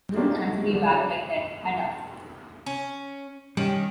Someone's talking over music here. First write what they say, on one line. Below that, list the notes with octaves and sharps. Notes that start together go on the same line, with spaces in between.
Don’t answer me back like that, Ada.
A#3 D4 F#4 G4 A4 A#4
A3 D#4
D3 D4
F#3 D4
C#4
D#3 G3 C#4 G4